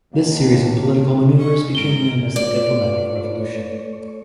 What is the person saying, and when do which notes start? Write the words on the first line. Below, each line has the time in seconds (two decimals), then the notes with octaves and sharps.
This series of political maneuvers became known as the Diplomatic Revolution.
0.13 D#2 A#3 D4
1.36 C#4 D#5 C#6
1.75 G#2 A#4 D7 G7
2.36 A3 D4 F4 B4 C#5 D5